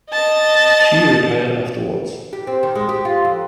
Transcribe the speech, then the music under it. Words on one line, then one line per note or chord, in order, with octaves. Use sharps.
She retired afterwards.
D#5 A5
G4
C4
D#3
G#3
G4
F4
F2